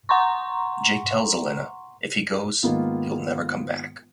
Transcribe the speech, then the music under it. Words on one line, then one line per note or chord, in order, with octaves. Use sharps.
Jake tells Elena if he goes he will never come back.
F#5 A#5 C6 C#6
G#2 D#3 A#3 B3 F4